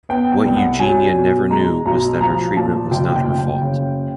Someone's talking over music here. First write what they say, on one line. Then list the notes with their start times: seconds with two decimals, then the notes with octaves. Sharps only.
What Eugenia never knew was that her treatment was not her fault.
0.09 B3 G5
0.32 G5
0.45 C2
0.57 F#5
0.79 F#3 G#5
1.15 B2
1.50 G#3 A#5
1.86 B1 A#5
2.21 F3 A#5
2.57 A#2 A5
2.91 F#1 G5
3.16 G5
3.27 F#1
3.38 G5
3.62 C#3